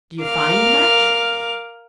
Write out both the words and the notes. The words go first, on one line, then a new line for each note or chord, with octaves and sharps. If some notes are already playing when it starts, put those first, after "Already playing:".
"Do you find much?"
A#4 F5 D6 F6